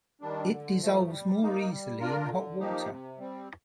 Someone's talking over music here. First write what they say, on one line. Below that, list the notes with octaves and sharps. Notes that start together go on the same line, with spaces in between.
It dissolves more easily in hot water.
D#3 G3 D4
D3
F3 A3
G3
A#3 D#4
G3
D4 F4 A#4
D3
F3 A#3 D#4 G4
C3
G3 C4